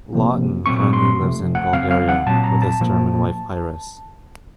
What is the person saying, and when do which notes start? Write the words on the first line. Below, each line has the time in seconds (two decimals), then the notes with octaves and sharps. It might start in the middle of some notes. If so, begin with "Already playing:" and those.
Lawton currently lives in Bulgaria with his German wife Iris.
0.13 C3 F3 A#3
0.66 A#2 F#3 A3 C4 C#6
0.93 C6
1.20 C3 F3 A3
1.55 F#5
1.73 C#3 F#3 C4 F5
1.91 F5
2.09 F#5
2.26 A#2 F#3 C4 A5
2.44 A#5
2.62 A5
2.80 A#2 F3 A#3